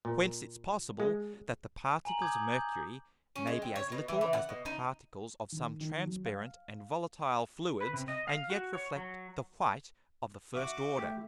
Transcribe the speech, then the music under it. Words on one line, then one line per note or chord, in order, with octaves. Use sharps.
Whence it's possible, that the Particles of Mercury may be as little as the Particles of some transparent and volatile Fluids, and yet reflect the white of the first order.
A#2
G#3
G#5 A#5 F#7
D6 D#6 G6 G#6
G6
C#4
G#3
C4
C#5
B2
E3
E3
F#5
B2
D#4
D#3
D#3
F#3
F5
B4
C3
D#5
F5
F#4
C#5
F#3
F#4 E5 D6
A3 G4